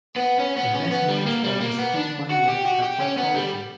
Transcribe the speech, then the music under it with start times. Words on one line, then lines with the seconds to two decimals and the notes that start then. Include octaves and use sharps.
The best wines from these two vineyards are quite powerful.
0.16 B3
0.39 C#4
0.56 B3
0.74 C#4
0.91 B3
1.09 G3
1.26 A#3
1.44 G3
1.61 A#3
1.78 B3
1.95 D4
2.31 F#4
2.48 G4
2.65 F#4
2.82 G4
3.00 C#4
3.17 B3
3.35 G3